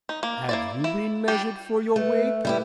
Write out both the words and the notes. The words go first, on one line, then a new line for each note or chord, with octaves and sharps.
"Have you been measured for your wig?"
D#4
A#3
A#3 E4 D5
E4
G3 D4 G5
A3 B4
G3 E4 G4 B4